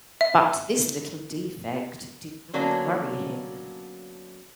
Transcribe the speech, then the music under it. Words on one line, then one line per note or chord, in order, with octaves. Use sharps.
But this little defect did not worry him.
E5
D3 F#3 A#3 B3 C#4 D4